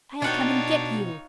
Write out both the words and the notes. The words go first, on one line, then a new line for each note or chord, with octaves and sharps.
"I'll come and get you."
B2 D4 D#4 F4 C#5 F#5 G5